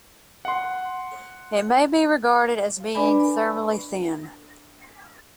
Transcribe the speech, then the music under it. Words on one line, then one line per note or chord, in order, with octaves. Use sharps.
It may be regarded as being "thermally thin".
F#5 C6
D4 B4 D5 G#5 B5